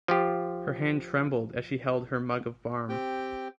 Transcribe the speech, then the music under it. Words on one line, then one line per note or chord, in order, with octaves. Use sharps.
Her hand trembled as she held her mug of barm.
F3 F4 G4
C4 G4 G5